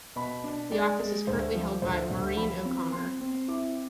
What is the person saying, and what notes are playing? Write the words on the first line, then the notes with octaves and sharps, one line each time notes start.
The office is currently held by Maureen O'Connor.
B2 B5
D4
G#3 D5
G#3
D2 C5
F3
D2 C5
D2
F3 B5
C4
C4 C6
C4
E4 D6